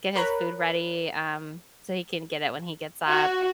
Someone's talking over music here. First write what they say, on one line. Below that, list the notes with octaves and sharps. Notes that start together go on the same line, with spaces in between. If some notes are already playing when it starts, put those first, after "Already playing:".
get his food ready, um, so he can get it when he gets up
A#4 C#5 A#5 B5 F#6
F#4